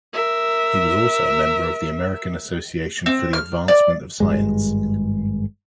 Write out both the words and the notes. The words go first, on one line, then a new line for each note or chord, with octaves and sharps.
He was also a member of the American Association for the Advancement of Science.
A#4 E5
C4
F6
D5
G#1 G2 G#3